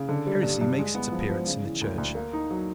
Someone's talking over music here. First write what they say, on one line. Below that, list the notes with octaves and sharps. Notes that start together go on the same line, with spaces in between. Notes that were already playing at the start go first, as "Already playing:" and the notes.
Heresy makes its appearance in the Church.
Already playing: C#3
D3
G3
G2
G2
G#3
B3
F3
F3
C#3
E3
D2
D2
A#3
D#4
F#3